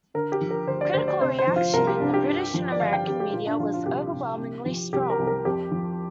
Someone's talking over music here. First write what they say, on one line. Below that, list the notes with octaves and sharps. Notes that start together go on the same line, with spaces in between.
Critical reaction in the British and American media was overwhelmingly strong.
D3 A#4
G4
F3
A#4
D2 C5
D5
D2 C5
D5
C3 C5
C5
F3
F4
C2 A#4
G4
C2 D4
G4
G2
F3
D5
G1 F5
G5
G1 G4
G4
A#2 F4
D4
F3 F4
F4
C2 G4
C2
C3
F3
C2 G4
A#4
C2
A#4
F2 G4
F3